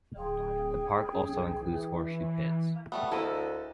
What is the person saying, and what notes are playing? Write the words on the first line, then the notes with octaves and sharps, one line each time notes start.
The park also includes horseshoe pits.
D1 G#4 G5
C#4
B1
E3
G3 A3 B3
D2 A#3 E4 A4 D#5